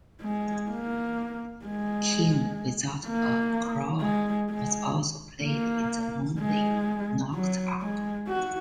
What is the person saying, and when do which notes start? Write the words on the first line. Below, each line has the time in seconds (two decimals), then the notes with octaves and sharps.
"King Without a Crown" was also played in the movie "Knocked Up".
0.22 G#3
0.69 A#3
1.65 G#3
3.07 A#3
4.01 G#3
4.49 G#3
5.43 A#3
6.39 G#3
7.34 F#3
7.82 G#3
8.28 F#4